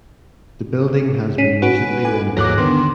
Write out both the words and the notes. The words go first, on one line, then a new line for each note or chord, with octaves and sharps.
The building has been recently renovated.
C#4 B6 D#7
F#4 B4 G#5 D7
A4 G#5
D#2 G#2 F#3 D6 F#6 A#6
D3 D#3 B3 C6